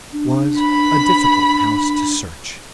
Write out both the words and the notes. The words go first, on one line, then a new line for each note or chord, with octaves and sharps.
It was a difficult house to search.
D4
B5